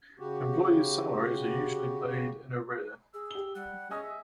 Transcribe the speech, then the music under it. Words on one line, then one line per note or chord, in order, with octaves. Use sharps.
Employees' salaries are usually paid in arrear.
C#3 F#4 G4
G#4 E6
G4 G7
G3 F#5
C#4 G#4 D#5 G#5 D#6
E5